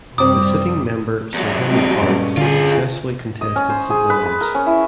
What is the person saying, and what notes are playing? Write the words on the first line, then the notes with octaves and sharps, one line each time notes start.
The sitting member Sir Henry Parkes successfully contested St Leonards.
F#2 C3 G3 C4 D6 D#6
E2 F#3
G#3 C4 G4
G2 A#2 A3 C#4
D3 F4 G#4
D#5
C#4
C5
G#4
B4
B5
A#4
C#4
E4